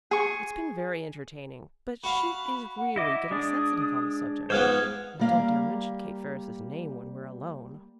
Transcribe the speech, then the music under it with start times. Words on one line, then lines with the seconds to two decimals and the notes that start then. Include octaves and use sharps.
"It's been very entertaining, but she is really getting sensitive on the subject, and I don't dare mention Kate Ferris's name when we're alone."
0.11 G#4 C#6
2.04 F#4 F5 B5
2.78 F#5
2.96 E4 D#5 E5 D6
3.31 G#3 D4 D5 D#6
4.50 G#2 F3 B3 C5 F6 F#6 G#6
5.19 G3 A#3 F5